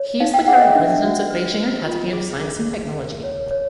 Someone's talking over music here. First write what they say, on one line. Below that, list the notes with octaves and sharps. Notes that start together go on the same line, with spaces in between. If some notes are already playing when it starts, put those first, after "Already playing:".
He is the current President of Beijing Academy of Science and Technology.
Already playing: C#5
D#4 F5
G5
G#4 F#5
D#5
E5
D4 E5
F#4
B4
B4
F4
G#4
G#4
G#4
A#4
C#5
C#5